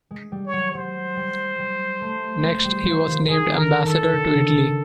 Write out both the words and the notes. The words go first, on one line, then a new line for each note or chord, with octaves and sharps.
Next, he was named ambassador to Italy.
G#3
G3
C#5
F#3
F#3 C5
G3
G3
A3
G#3
G3
F3
D#3
D#3 G#4
D#3 A#4
D#3 A4
D3
C#3
C#3